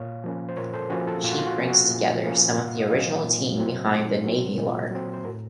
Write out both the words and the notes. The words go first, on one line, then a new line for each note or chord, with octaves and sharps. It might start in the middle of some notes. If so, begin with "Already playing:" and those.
She brings together some of the original team behind "The Navy Lark".
Already playing: A#2 C#5 F5
F3 A#3 C#4
C5
A#2 A#4 C#5
A4 C5
F3 A#3 C#4 F#4 A#4
F4 A4
A#2 F4
F#4
F4
F#4
F3 A#3 C#4
F#4
A#2
F3 A#3 C#4
A#2 F#5
F5
D#5
F#3 C4 C#5 F5
A#2
F#3 C4
A#2 A4 C5
F#3 C4
A#2
F#3 C4
C5
A2 F#4 A#4